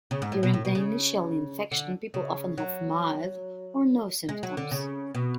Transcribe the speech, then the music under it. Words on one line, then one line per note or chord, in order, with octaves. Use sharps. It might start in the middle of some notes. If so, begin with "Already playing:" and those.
During the initial infection people often have mild or no symptoms.
C#3
G#2
A2
B2
A2
B2
C#3
D3
C#3
F#3
G#3
F#3
D3
C#3
B2